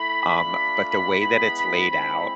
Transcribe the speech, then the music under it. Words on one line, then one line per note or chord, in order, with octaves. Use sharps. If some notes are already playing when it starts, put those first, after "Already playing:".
um, but the way that it's laid out
Already playing: A3 E4 B5
A3 D4 F4
G#3 B3 E4
G#3 C4 E4